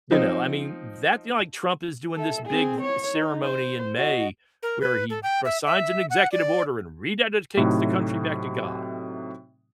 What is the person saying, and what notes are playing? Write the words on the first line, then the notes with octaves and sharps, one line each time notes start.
you know, I mean, that you know, like, Trump is doing this big ceremony in May, where he re-signs an executive order, and rededicates the country back to God.
F3 C4 D#4
A4 E5
C4 G#4
C#5
D#4
C5
F#4 D#5
A#4
B4
A4
G5
E5
E5
F#5
D5
A2 C3 F#3 A3 D#4 F#4